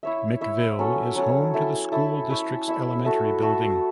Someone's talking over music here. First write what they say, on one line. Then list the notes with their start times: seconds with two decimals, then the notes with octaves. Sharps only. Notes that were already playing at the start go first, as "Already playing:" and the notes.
McVille is home to the school district's elementary building.
0.03 E4 C#5 E5
0.41 E4 C#5 E5
0.79 F#3 C#4 A4 C#5
1.16 F#3 C#4 A4 C#5
1.54 E4 A4 E5
1.92 E4 A4 E5
2.30 E4 C#5 E5
2.68 E4 C#5 E5
3.05 A3 F#4 A4 E5
3.42 A3 F#4 A4 E5